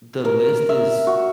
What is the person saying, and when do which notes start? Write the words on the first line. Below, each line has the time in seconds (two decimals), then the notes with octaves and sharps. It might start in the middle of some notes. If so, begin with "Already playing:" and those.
the list is
0.25 A#4
0.69 E5
1.07 F#4